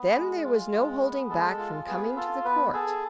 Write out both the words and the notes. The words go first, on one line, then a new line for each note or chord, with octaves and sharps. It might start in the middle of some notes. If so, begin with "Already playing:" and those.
Then there was no holding back from coming to the court.
Already playing: B3
G#3
F4
G#3
B3
G#3 A4
F4
B3 G#4
F4 A4
B3 B4
G#4 A4